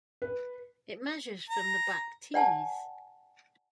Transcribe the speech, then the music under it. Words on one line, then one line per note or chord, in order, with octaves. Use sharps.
It measures from the back tees.
B4
A#5
D5 F#5 G#5 A5